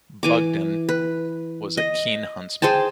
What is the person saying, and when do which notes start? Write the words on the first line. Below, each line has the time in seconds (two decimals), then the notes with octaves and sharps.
Budgen was a keen huntsman.
0.23 E3 G#5 D6
0.89 B4
1.77 D#5
2.62 G#4 C5 G5 A5